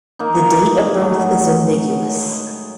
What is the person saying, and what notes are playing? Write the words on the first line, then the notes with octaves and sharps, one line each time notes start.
The date of birth is ambiguous.
A#3 D#4
A2 F#3 G#3